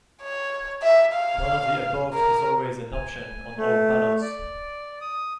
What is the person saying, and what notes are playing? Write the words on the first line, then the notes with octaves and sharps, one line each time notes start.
None of the above is always an option on all ballots.
C#5
E5
F5
A#4
G#5
A3
D5
D#6